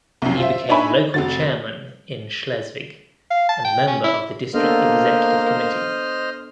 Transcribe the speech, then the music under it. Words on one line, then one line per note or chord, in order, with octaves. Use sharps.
He became local chairman in Schleswig and member of the district executive committee.
C2 F#2
F4 C5 E5
D4 D#4 C#5 E5 G#5 B5
D#4
F1 F#4 A6
F5
A5
G5
C#4
E4
A#3 B3 D4 A4 C5 D#5 F6